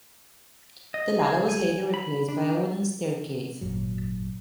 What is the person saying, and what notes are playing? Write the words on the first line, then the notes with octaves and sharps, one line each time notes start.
The ladder was later replaced by a wooden staircase.
D#5
G#4
G#5
B5
D4
G#1 F#2 A#2 F#3